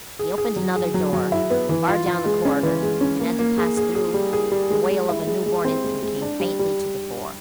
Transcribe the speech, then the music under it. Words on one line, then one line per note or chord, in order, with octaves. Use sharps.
He opened another door, far down the corridor; and as he passed through, the wail of a new-born infant came faintly to the four.
G#4
G#4
F#3
G#4
F#3
F#3
E4
B3
E3
F4
F4
G#3
C#4
E3
G#3
C#4
A#3
A#3
G#4
G#4
G#4
G3
G#4
G3
G#3
G#3
E4
G#3
G#3
C4
G#3
G#3
D4
G3
G3